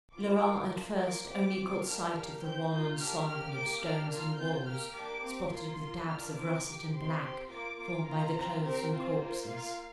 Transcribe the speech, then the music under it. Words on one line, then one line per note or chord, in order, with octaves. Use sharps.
Laurent at first only caught sight of the wan ensemble of stones and walls, spotted with dabs of russet and black formed by the clothes and corpses.
C4 F4 D6
A#3 F4
A#3 D4 F4
A#3 F4 D6
C4 G4 D6
C4 F4
A#3 D4 G4 F6
A#3 G4
C4 G4 G6
A#3 F4
A#3 D4 G4 F6
A#3 F6
G4
A#3 G4 D6
A#3 D4 G4 F6
A#3 F4 F6
C4 F4 G6
A#3 G4 F6
A#3 D4 G4 D6
C4 G4
A#3 F4 C6
A#3 F4
A#3 D4 F4 F6
C4 F4 D6
A#3 G4
C4 G4 C6
C4 G4
A#3 F4 D6
A#3 F4 D6
A#3 F4 A#5
C4 F4
C4 G4 A#4
C4 F4 C5
A#3 F4
A#3 F4 F5